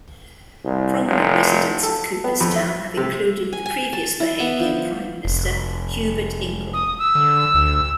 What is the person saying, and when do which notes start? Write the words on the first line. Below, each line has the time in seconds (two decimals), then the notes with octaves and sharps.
Prominent residents of Coopers Town have included the previous Bahamian Prime Minister Hubert Ingraham.
0.65 C2
1.06 F1
1.83 A4
2.24 B3
2.41 F2
2.56 E5
2.97 C3
3.53 G#5
3.66 G#5
3.93 A5
4.20 E4
4.40 B3
4.59 F3
5.25 F1
6.73 D#6
6.98 E6
7.15 D3
7.55 D2